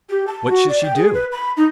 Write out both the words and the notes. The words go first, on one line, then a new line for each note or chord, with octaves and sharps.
What should she do?
G4
A5
F#4
D5
G5
G#4
B4
B5
D#4